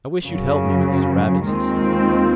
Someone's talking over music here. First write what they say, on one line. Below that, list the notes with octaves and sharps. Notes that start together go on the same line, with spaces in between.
"I wish you'd help me with these rabbits," he said.
F#2 C#3 F#3
D#2 D#3 G#3 C4 F4